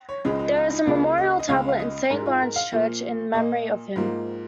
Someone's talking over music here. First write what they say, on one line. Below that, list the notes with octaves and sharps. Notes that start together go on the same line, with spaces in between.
There is a memorial tablet in Saint Lawrence Church in memory of him.
C#5
C#2 C#3 F3 G#3 D#5
D#5
F4
D#4
C#2 C#3 A#3 F4
D#5
D#5
C#2 C#3 G#3 F5
F5
D#5
G#2 G#3 A#4
F4
A#4
F5
A#2 F3 A#3
A#2 A#3 D#5
G#2 F3 A#3